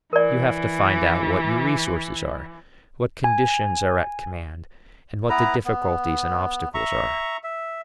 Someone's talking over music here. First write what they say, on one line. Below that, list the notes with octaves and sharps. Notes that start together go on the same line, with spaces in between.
You have to find out what your resources are, what conditions are at command, and what the difficulties and obstacles are.
E3 A#4 D5
G#5
B3 E4 B4 A#5
B3
E5 A#5 C#6
E5